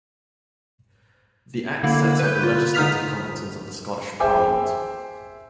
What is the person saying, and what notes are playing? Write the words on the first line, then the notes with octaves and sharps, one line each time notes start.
The Act sets out the legislative competence of the Scottish Parliament.
D3 A#3 E4
B4 G6
F4
D3 D#4 D#6 F6 B6 F7
G#4 C5 E5 G5 G#5 D6